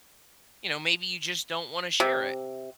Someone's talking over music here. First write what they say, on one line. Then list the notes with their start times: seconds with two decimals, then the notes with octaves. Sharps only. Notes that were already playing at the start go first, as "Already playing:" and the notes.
You know, maybe you just don't wanna share it.
2.00 C3